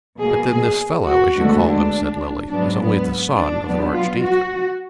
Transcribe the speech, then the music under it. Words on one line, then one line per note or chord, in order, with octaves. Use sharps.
"But then this fellow, as you call him," said Lily, "is only the son of an archdeacon."
B2 A#3 G#4
G#4
F#4
D2 D3 G#3 B3
D4
G#2 F#3 B3 D4
B3
D4
B2 F#3 B3
F4
F#4